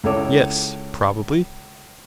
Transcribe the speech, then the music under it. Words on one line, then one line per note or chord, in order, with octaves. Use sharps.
Yes, probably.
C#2 E4 A4 C#5 D6